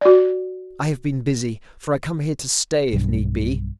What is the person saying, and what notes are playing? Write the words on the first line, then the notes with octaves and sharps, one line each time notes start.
I have been busy, for I come here to stay if need be.
F#4 D5
B1 G2